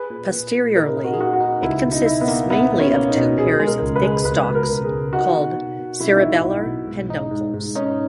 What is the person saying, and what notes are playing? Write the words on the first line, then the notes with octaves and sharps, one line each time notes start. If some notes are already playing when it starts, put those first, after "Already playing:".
Posteriorly, it consists mainly of two pairs of thick stalks called cerebellar peduncles.
Already playing: G#4 B4
A#2
A#2
A#2
D#4 A#4
D#4
F#4
G#4
A#3 F#4
F#4
D#4
C#2 E4
B2
D#4
E4
B3
A#3
B3 E4
B2
C#4
A#3
D#4
B2
B2 G#4
G#3
A#4
C#2
B4
G#3
C#2 B4
B2 B4
A#4
C#2
G#4
C#2
D#4 F#4
B2
B2
B2
B1 E4
D#4
E4
B2
B1
B2
G#2
D#4
G#2
G#2
C#4 D#4